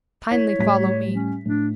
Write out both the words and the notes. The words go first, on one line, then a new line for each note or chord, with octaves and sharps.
"Kindly follow me."
E4 C#5 B6
A2 G3 B6
C#4
A2 D4